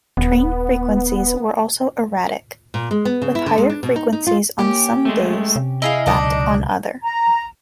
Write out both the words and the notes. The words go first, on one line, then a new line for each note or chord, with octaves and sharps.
Train frequencies were also erratic, with higher frequencies on some days that on other.
D#1 B3
A#2
G#3
B3
C#3
E4
D3
G#3
D4
B2
D#4
D#4
F4
A#3 C#4 G4
G#3 A3
C3
E4 G#4 D#5 F5
C#2 B2 F#3 D4 D#4
A#5